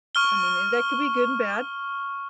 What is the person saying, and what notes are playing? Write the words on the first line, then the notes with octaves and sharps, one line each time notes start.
I mean, and that could be good and bad.
C#6 F6 G7